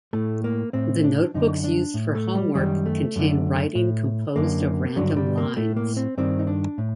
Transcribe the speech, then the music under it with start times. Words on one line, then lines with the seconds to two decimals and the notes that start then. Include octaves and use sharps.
The notebooks used for homework contain writing composed of random lines.
0.13 A2 A3
0.44 A#3
0.73 A2 C4
1.04 D4
1.34 F#2 D3 D#4
1.64 D4
1.94 A2
2.15 A3
2.35 G3
2.54 F#2 D#3 G3
2.86 A3
3.16 F#2 D3
3.75 A2
4.36 F#2 D3 A#3
4.96 G2 D3 F#3
5.17 G3
5.37 A#3
5.57 A2 A3
5.77 A#3
5.97 C4
6.18 G2 D#3 C4
6.39 D#4
6.47 D4
6.78 A2